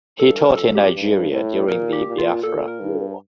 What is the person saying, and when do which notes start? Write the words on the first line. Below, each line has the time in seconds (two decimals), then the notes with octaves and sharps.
He taught in Nigeria during the Biafra War.
0.20 G2 A4
0.38 A#4
0.56 F2 A4
0.75 G4
0.94 G2
1.31 A2
1.68 A#2 A#4
1.93 G4
2.06 A#2
2.18 F4
2.43 A#2 A4
2.68 A#4
2.80 G2